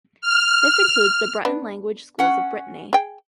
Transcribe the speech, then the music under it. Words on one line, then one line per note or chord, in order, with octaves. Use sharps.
This includes the Breton language schools of Brittany.
F6
B3 D4
C#4 F#5
G#4 G5